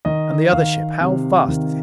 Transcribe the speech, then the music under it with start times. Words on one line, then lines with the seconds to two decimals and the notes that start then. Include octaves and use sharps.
"And the other ship--how fast is it?"
0.05 D#3 D#5
0.53 D#3 F5
1.01 C3
1.48 D#3